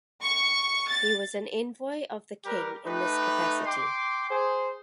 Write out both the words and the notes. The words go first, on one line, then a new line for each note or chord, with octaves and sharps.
He was an envoy of the king in this capacity.
C#6
A6
G3 G4 A#4 B4
A3 D#4 G4 B4
G5 C6 D6
G#4 C5